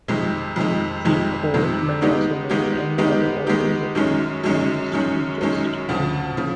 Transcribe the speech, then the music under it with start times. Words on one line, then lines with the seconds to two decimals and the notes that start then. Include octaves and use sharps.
The court may also make any other order which it finds to be just.
0.08 F2 C3 D#3 G#3
0.56 F2 C3 D#3 G#3
1.05 F2 C3 D#3 G#3
1.54 F2 C3 D#3 G#3
2.01 D#3 G#3 B3 D#4 G4
2.49 D#3 G#3 B3 D#4 G4
2.98 D#3 G#3 B3 D#4 G4
3.47 D#3 G#3 B3 D#4 G4
3.95 F#2 D#3 G#3 C#4
4.43 F#2 D#3 G#3 C#4
4.92 F#2 D#3 G#3 C#4
5.41 F#2 D#3 G#3 C#4
5.89 D2 C#3 F3
6.37 C#3 F3